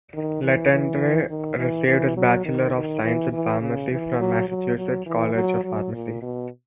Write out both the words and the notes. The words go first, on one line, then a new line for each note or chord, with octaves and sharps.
Letendre received his Bachelor of Science in Pharmacy from the Massachusetts College of Pharmacy.
D#3
E3
E3
D#3
E3
E3
F#3
D#3
D#3
E3
E3
C#3
E3
F#3
F#3
F#3
E3
F#3
F#3
A#2
B2